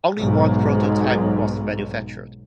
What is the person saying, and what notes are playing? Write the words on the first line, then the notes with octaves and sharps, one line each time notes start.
Only one prototype was manufactured.
B1 G#2